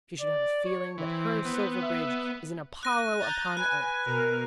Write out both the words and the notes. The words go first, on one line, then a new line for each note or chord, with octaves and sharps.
She should have a feeling that her Silverbridge is an Apollo upon earth.
D5
C#5
E3 C4
B3
E5
F#6 A#6 D#7
A#5 G6 A6
B4 G#5 F#6
B2 A#4